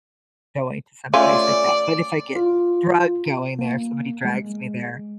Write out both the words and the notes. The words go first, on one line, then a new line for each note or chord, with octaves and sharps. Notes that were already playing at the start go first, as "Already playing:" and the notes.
going to some place like that. But, if I get drug going there, somebody drags me there,
A3 C#4 F4 D5
F4
A#3
G#3